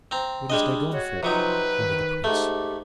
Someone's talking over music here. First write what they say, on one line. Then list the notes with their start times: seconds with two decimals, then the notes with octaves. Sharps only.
"What is Dagon for?" wondered the prince.
0.11 C4 A#5
0.50 G3 G#3 D4 D#5
0.93 F#4 C#5
1.23 C3 F3 F#3 D#4 B4
1.78 D#3
2.24 G#2 A3 G4